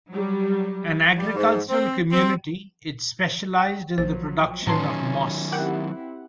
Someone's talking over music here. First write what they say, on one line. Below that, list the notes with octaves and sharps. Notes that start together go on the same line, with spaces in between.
An agricultural community, it specialised in the production of moss.
F#3 G3
G3
G#2
C4
C4
G5
A#1 F3 F#3 C5
A2 D#3 F#3 C#4 B4 A5 A#5 C6
C4 E4 G4 A#4 F#5